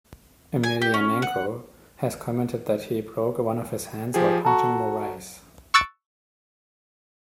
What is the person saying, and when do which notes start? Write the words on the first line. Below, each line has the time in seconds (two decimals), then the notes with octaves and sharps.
Emelianenko has commented that he broke one of his hands while punching Morais.
0.63 G#5
0.82 G4
0.94 C#4
1.22 F#5
4.14 F3 G4 G#4
4.45 F#4 A4 A5 A#5 C#6
5.74 C#6 E6 F#6 A6 C#7 D7